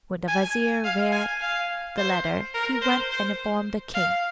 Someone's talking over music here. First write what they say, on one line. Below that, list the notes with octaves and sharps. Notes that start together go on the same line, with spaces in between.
When the vizier read the letter he went and informed the king.
G#5
F5
G#5
F5
C5
A#4
C5
C5
F5